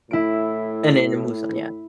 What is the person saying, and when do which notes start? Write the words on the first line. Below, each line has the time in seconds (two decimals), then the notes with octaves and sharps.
and then it moves on, yeah.
0.11 A2 E4 D7